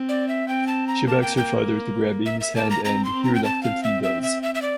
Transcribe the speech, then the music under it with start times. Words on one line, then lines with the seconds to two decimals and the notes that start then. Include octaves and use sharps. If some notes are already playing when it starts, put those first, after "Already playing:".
She begs her father to grab Amy's hand and he reluctantly does.
Already playing: C4
0.09 D5
0.28 E5
0.48 C4 G5
0.67 A5
0.88 A#5
1.07 A#3 A5
1.22 G5
1.37 G5
2.26 E5
2.41 E5
2.55 A#3 A5
2.70 A#5
2.85 C4 A#5
3.05 C6
3.14 C4
3.24 A#5
3.35 G5
3.44 C4 A5
3.63 F5
3.83 E5
4.03 E5
4.23 E5
4.43 E5
4.55 E5
4.62 D5